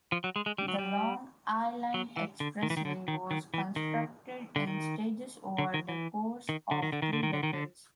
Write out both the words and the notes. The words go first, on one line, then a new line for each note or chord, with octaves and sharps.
The Long Island Expressway was constructed in stages over the course of three decades.
F3
F#3
G#3
G#3
G3
F#3
G3
F#3
E3
D3
D#3
E3
D#3
D3
D#3
D#3
E3
D#3
D3
D#3
D3
D#3
E3
D#3
D3
D#3
D3
D#3
D3
D#3
D3
D#3
D3